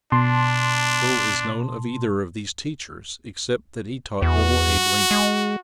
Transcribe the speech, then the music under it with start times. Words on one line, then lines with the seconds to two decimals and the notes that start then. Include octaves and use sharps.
Little is known of either of these teachers except that he taught little Abe Lincoln.
0.12 B2 D4 A5 C6
4.22 E2 F#4
5.11 G#3